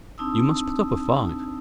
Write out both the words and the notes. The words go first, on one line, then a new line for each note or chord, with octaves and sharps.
You must put up a fight.
C4 D4 D#4 A5 D#6 E6